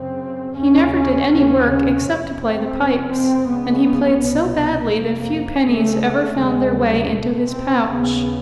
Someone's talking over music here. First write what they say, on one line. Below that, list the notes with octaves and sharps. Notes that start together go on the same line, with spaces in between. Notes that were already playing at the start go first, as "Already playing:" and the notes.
He never did any work except to play the pipes, and he played so badly that few pennies ever found their way into his pouch.
Already playing: F#2 C#3 C4
D#2 C#3 C#4
D#2 C#3
C#4
F2 C3
C4
F2 C3
C4
C#2 C#3 B3
C2 B2 B3
F2 C3 A#3
C#2 C#3 A3
A3
D#2 C#3 G#3
G3
C#2 B2 A3
C4
D#2 C#3 B3